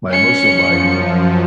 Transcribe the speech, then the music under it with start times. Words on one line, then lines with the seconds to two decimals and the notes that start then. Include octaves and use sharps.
my emotional mind
0.10 C#4 C#7
0.46 F#2 F3